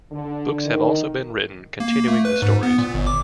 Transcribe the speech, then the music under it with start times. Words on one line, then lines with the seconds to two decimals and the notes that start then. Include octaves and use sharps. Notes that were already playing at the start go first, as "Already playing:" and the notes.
Books have also been written continuing the stories.
0.12 D3
0.65 D#3
1.80 A#3
2.08 A3
2.25 B4
2.42 G#2
2.63 B3
2.78 A#2
2.94 G1
3.07 D6